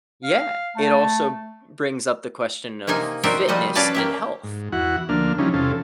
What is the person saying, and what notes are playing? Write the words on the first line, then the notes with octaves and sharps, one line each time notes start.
Yeah. It also br brings up the question of fitness and health.
F5
A3 A5
C3 A#3 D#4 G#5
C4 D#4 F#4 A#4 D5 E5
F3 G3 F#4 D#5
C#4 B4 D5 F5 A5
A#3 G4 E5
G#2
E2 E4 F#4 F#5
D2 F3 A#3 D4 F6
C#3 E3 F3 G3 C#4 D#4
E2 C3 C#4 F4 A4